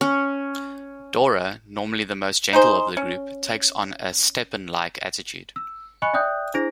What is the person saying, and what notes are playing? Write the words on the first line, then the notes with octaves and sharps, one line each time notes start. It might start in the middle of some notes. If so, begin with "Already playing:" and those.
Dora, normally the most gentle of the group, takes on a Stepan-like attitude.
C#4
D#4 G#4 C5
C#4
E6
D#5 G#5 B5 C#6 F#6 C#7
D5 E5 G5 D#6 F#6 G6
D4 E4 G#4 C5 A#6 D7